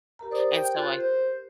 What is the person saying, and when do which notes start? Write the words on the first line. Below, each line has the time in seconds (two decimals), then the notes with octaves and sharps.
And so I
0.19 G4 A#4 A#5
0.31 C5 D5 D#6
0.56 G5
0.76 F4 F#6
0.96 C5